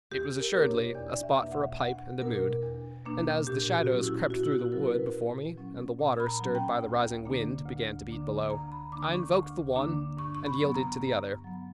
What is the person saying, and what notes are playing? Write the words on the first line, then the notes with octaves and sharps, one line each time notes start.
It was assuredly a spot for a pipe and a mood, and as the shadows crept through the wood before me and the water, stirred by the rising wind, began to beat below, I invoked the one and yielded to the other.
E2 G4
A#4
B2 A#3 D4
C#5
E2 D5
E5
B2 A#3 D4
F#5
E2 F#5
B2 A#3 D4 A#4
E2
B2 A#3 D4
A#2 G4
F#4
F#3 C#4
E4
A#2 F#4
E4
F#4
F#3 C#4 A#4
B4
A#2
F#3 C#4
A#2
B5
A#5
F#3 C#4
G5
D2
D3 A#3 D4
D2
D3 A#3 D4
D2 A#5
B5
D3 A#3 D4 D6
C#6
D2
D3 A#3 D4
G2 C#6
C#6
B5
F#3 B3
A#5
G2
F#3 B3